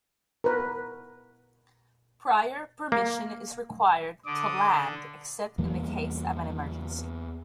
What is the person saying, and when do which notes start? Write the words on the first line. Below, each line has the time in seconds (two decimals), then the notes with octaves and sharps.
Prior permission is required to land except in the case of an emergency.
0.44 A#4 B4
2.92 A#3
4.26 D3 D6 D#6
5.58 E2 E3 G3 A#3